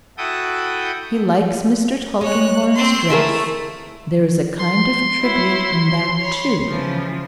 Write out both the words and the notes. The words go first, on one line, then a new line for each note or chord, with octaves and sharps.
He likes Mr. Tulkinghorn's dress; there is a kind of tribute in that too.
E4 F#4 A4 G5 D#6
G#3 C#5 F#6
C4 C6
A3 E4 G#4 A#4
C6
E4 F#4 C#5
C#5 B5
C#3 E3 F3